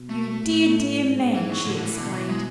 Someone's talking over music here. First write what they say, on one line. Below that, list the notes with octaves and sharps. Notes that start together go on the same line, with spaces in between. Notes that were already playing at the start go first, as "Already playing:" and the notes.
"You dear, dear man!" she exclaimed.
Already playing: B2
A3
A2
G#2
E3
F#3
A2 D3
D3
E3
B2 D3
E3
G#3